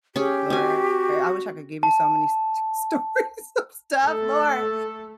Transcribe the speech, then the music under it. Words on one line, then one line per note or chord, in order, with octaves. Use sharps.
"Lord I I wish I could give you so many s s stories of stuff, Lord,
C#4 G4 G#4
C4 F#4 G#5
A5
A3 A4